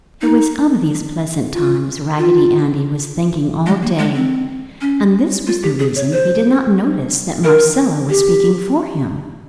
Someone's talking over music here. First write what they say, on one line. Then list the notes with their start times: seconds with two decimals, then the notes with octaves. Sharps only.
It was of these pleasant times Raggedy Andy was thinking all day, and this was the reason he did not notice that Marcella was speaking for him.
0.22 D#4
1.53 F4
2.18 F4
3.66 G#3
3.82 A#3
3.99 G#3
4.15 C4
4.81 C#4
5.47 F4
5.63 G4
5.79 G#4
5.96 C#5
6.13 C5
7.44 A#4
8.09 G4